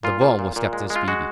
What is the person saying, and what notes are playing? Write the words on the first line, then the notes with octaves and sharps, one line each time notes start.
The bomb was Captain Speedy.
A#2 F4
A#2
A#2
A#2
G#3
G#3
F4
G#3 F#4